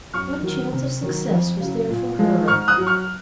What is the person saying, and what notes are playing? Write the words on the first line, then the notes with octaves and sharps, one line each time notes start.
What chance of success was there for her?
F#2 C#6 F6
D#3 F#3
C3
D#3 F#3
F2
C#3 F#3
A#2
F3 G#3
G#2 C#6 F6
D#6 F#6
F#3
C#6 F6